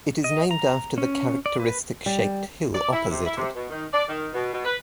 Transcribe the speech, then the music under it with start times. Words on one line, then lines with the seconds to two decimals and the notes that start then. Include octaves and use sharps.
It is named after the characteristic shaped hill opposite it.
0.24 D#5
0.51 A#5
0.98 C#4
1.46 D5
1.60 B4
2.06 G3
2.74 D5
2.91 E4
3.10 C3
3.25 E4
3.37 C3
3.55 B2
3.70 D#3
3.92 D5
4.08 D#3
4.33 B2
4.52 B2
4.65 B4